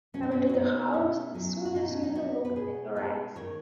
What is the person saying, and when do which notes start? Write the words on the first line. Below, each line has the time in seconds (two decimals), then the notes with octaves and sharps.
Come into the house as soon as you have looked at your eggs.
0.14 B2 C#4
0.23 D#4
0.31 C#4
0.49 F#4
0.54 B3 D#4
0.94 B2 C#4
1.34 F#3 C#4
1.65 F#4
1.75 B2 D#4
1.91 C#4
2.03 D#4
2.15 B3 F#4
2.45 B4
2.56 B2 G#4
2.96 G#3 B4
3.36 D#3 C#5